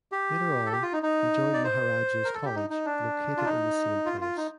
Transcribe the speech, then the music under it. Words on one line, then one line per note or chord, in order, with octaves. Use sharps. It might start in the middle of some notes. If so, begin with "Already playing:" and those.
Later on, he joined Maharajah's College, located in the same place.
G4
A4
G4
F4
D#4
D#4
D5
C5
A#4
A4
G4
D#4
D#4
D4
F4
D#4
F4
F4
D#4